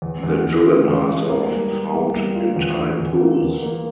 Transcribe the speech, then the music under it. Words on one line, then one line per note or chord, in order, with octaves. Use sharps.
The juveniles are often found in tide pools.
E2
E2
E2
E3
E2
G#3
A#3
G3
G3
A#3
G3
F4
E2
E2
E2
A#3
E2
A#3